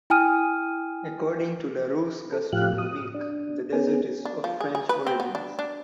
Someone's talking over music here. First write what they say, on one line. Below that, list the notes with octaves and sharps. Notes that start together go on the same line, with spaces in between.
According to "Larousse Gastronomique" the dessert is of French origins.
E4 G5 G#5 D#6 F6 D#7
A4
A2 F3 G4 F5 F#6
D#6
D4
B3 C#4 G#4
D4
F3
G#4
G#4
B4
C4
B3
D4
D4